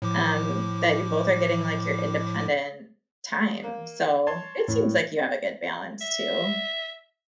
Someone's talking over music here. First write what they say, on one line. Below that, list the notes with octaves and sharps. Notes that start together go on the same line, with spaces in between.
um, that you both are getting, like, your independent time, so it seems like you have a good balance too.
A2 F3 D6
A#3
C#5 A5 C6
A2
E5